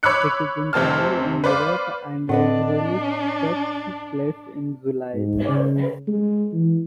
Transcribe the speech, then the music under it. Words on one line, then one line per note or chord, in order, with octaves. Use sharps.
It is entirely in Europe, and usually takes place in July.
C#5 B5 D6 E6 F#6 C#7
F1 C3 C4 A5 F6
B4 C5 D5 F5
A2 C4 D4 B4 D#5 F#5
G#2
C#3
G#3
E3